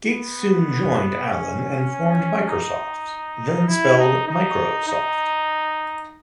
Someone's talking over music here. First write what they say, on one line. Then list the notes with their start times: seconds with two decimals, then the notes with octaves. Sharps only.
Gates soon joined Allen and formed Microsoft, then spelled "Micro-Soft".
0.08 B3
1.28 C#4
2.49 D#4
3.68 E4
3.99 D#4
4.28 D#4
4.88 D#4